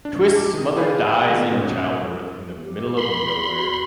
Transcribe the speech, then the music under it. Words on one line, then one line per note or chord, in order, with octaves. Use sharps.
Twist's mother dies in childbirth in the middle of nowhere.
D4
A5 D6
D#3 D#6
G4 G#4 B4 C#5 F5 G#5
D#3 A3 B3 F4 F#6 A#6
G#2 B2 G3 C#4
G4
B5 C6
F#4